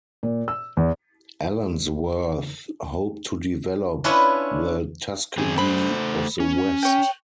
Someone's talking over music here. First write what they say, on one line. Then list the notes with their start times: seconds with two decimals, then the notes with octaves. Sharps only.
Allensworth hoped to develop the "Tuskegee of the West".
0.23 A#2
0.48 E6
0.77 E2
4.04 C#4 D4 E4 F4 B4 C#5
5.38 D#3 C4 G#4
5.58 A3 C5 B5
6.40 C#4
6.83 C#5 G5